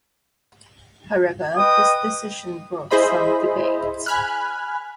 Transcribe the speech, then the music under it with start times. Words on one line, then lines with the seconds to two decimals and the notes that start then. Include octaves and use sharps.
However, this decision brought some debate.
1.57 B4 D#5 G5 D#6
2.91 E4 G#4 C5 D#5 B5
4.06 G#5 B5 F6 F#6